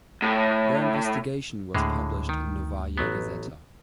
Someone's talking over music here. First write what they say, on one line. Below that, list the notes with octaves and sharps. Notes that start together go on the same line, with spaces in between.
Their investigation was published in "Novaya Gazeta".
A2
D2 A2 D3 G#3
D#3
A1 F#3 B3